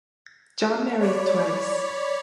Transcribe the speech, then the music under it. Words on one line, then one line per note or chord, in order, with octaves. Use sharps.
John married twice.
C#5 D5 B5